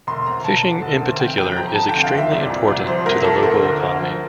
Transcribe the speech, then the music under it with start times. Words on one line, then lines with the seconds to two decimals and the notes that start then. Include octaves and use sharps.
Fishing in particular is extremely important to the local economy.
0.07 E1 C6
0.26 D2 A#5
0.44 E1 A5
0.64 D3
0.82 E1
1.01 D2
1.19 F1 G5
1.38 F2 G5
1.56 F3 A#5
1.75 D3 A5
1.89 F1 G5
2.04 F5
2.13 F2 E5
2.31 C2 D5
2.50 A#2
2.68 C2
2.87 F3 C5
3.06 C2 A#4
3.24 A#2 A4
3.42 D2 A#4
3.62 D3
3.80 D2
3.99 F3